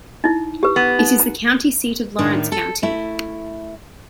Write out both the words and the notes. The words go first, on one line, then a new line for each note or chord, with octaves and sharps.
It is the county seat of Lawrence County.
D#4 E4
G4 B4
B3
D#4
A#5
A2 D#3 D4
A4
A3 E4